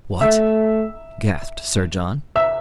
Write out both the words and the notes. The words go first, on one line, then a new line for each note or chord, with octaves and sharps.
"What!" gasped Sir John.
A3 E5 E6
E5 E6